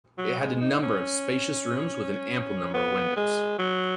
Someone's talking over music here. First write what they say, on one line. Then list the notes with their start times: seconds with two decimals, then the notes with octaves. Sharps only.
It had a number of spacious rooms with an ample number of windows.
0.18 F#3
0.39 G#3
0.61 D#4
0.82 C#4
2.74 B3
3.16 G#3
3.59 F#3